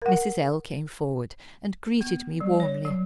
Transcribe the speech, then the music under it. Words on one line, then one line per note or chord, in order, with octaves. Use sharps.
Mrs. L. came forward, and greeted me warmly.
A#4 F#5
B3
G3
C#5
F#3